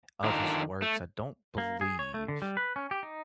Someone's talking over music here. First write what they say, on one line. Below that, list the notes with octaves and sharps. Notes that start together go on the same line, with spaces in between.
of his works, I don't believe.
D3 D#3 D4 F4 A#5
A3
A#3
G#4
C#5
A3
D3
G3
B4
C#4
G4
D#4